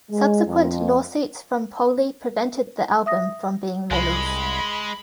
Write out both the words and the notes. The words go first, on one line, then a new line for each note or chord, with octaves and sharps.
Subsequent lawsuits from Poley prevented the album from being released.
G#3
F2
E5 D#6 A#6
C2 G#3 B5